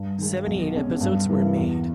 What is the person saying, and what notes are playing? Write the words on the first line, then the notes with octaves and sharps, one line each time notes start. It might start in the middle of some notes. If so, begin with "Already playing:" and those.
Seventy-eight episodes were made.
Already playing: G2
D#3 G#3
B1
B2 G#3 C#4
G2
E3 G3 A#3
E2